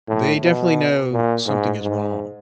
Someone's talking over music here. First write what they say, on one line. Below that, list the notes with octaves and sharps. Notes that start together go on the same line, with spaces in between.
they definitely know something is wrong
A2
B2
A#2
G#2
G#2